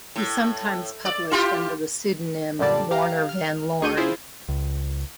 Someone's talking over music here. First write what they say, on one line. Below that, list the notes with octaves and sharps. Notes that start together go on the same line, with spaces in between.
He sometimes published under the pseudonym Warner Van Lorne.
A2
D5
E4 F4 G4
F#2 A#2 D3 G3 D5 A5
G4 F5 A#5
F6
D2 G#4 C#6 G6 D#7
E4 F4 G#4 C5
C#2